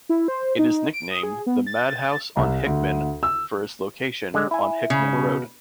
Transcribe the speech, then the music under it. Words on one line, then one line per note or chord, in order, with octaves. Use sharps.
It is nicknamed the "Madhouse on Hickman" for its location on Hickman Road.
E4
C5
D#4
D7
D#6
G#4
B3
A6
C2
D2
E6
D3 G#3
E4 G#5
C#3
B2